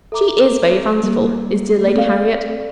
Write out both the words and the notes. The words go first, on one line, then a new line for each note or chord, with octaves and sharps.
She is very fanciful, is dear Lady Harriet!
A4 E5 A#5 D6
G3 A#3
A3
A#3
A3 C4 A4 D5 F5